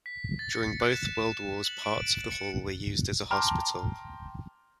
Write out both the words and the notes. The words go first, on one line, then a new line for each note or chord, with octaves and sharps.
During both World Wars, parts of the hall were used as a hospital.
B6
A6
C#7
F#6
E7
E7
F#7
D7
D7
C#7
G5 A5 A#5 C6 D6 F6